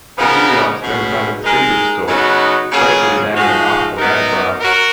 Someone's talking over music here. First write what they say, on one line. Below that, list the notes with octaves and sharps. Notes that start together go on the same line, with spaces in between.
The Huguenots then founded Friedrichsdorf, gratefully naming it after the Landgrave.
C#3 F3 B3 D#4 A#4
B2 G#3 C#4
G#3 D#4 A#4
C#3 F#3 B3 D#4 F#4
C#3 F#3 A#3 F4 G#4
F3 G#3 D#4 F#4
F#3 B3 D#4 A#4
F#4 A#4